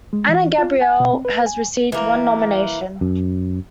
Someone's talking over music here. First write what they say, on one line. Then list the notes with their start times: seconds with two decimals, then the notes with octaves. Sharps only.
Ana Gabriel has received one nomination.
0.13 G#3
0.29 E3
0.58 F4
0.82 G#5
1.00 B2
1.13 C4
1.25 B4
1.46 G#5
1.92 E3 A#3
3.01 F#2